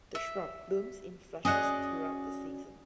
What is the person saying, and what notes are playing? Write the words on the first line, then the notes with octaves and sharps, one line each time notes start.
The shrub blooms in flushes throughout the season.
E5
C#4 F#4 G#4 D5 D#5 F#5